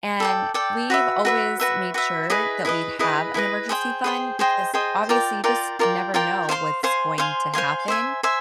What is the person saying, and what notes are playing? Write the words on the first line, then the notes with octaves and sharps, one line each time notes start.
and we've always made sure that we'd have an emergency fund because, obviously, you just never know what's going to happen.
A4 D5 G5
A4 D5 G5
F#4 B4 E5
F#4 B4 E5
F#4 B4 E5
F#4 B4 E5
E4 G#4 B4 D#5
E4 G#4 B4 D#5
E4 G#4 B4 D#5
E4 G#4 B4 D#5
G#4 C5 D#5 G5
G#4 C5 D#5 G5
G#4 C5 D#5 G5
G#4 C5 D#5 G5
F4 A#4 D5 G5
F4 A#4 D5 G5
F4 A#4 D5 G5
F4 A#4 D5 G5
C5 F5 G#5 C6
C5 F5 G#5 C6
C5 F5 G#5 C6
C5 F5 G#5 C6
C5 E5 G#5
C5 E5 G#5